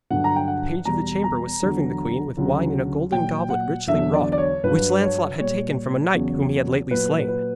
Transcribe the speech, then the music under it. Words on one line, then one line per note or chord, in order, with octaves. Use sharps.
The page of the chamber was serving the queen with wine in a golden goblet richly wrought, which Lancelot had taken from a knight whom he had lately slain.
G2 D3 F#3 F#5
A#5
G5
F#5
E2 B2 G3 A#5
A#5
E2 D3 F#3
D2 C#3 F#3
A#2 F#3 G5
F#5
E2 D3 F#3 E5
D5
D5
C#5
G2 F#3 B4
C#5
A#2 G3 C#5
E2 C#3 F#3
A#2 F#3 B4
B4